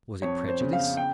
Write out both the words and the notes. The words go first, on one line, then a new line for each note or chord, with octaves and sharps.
Was it prejudice?
F2 C#5
C5
C#3
F5
G5